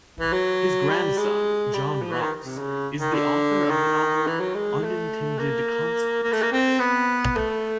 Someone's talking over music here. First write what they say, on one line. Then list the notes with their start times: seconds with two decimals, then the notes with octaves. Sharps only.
His grandson, John Ross is the author of the novel "Unintended Consequences".
0.20 E3
0.33 F#3
0.89 G3
1.18 G#3
1.73 G3
2.02 F3
2.11 E3
2.21 D#3
2.44 C3
2.58 C#3
3.00 D#3
3.14 D3
3.70 D#3
4.27 E3
4.40 F#3
4.55 G#3
4.84 A3
5.39 A#3
6.23 A#3
6.32 A3
6.42 A#3
6.52 C4
6.79 B3
7.36 A3